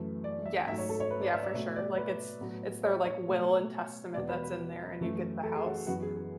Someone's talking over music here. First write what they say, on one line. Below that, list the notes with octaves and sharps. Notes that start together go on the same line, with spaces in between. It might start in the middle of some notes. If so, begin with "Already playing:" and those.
Yes. Yeah, for sure, like, it's it's their, like, will and testament that's in there, and you get the house.
Already playing: F#2 E3 A3
D5
E5
G#2 F#3 A3 E5
C#5
A4
C#5
B4
D5
E5
D5
B2 A3 E5
D5
B4
A2 F#3 B3
C#5
C#5
B2 F#3 A3
E2 B2 G#3 D5
B4
B4
F#2 E3 A3
A4
G#4
F#4
F#2 E3 B3 F#4
G#4
G#4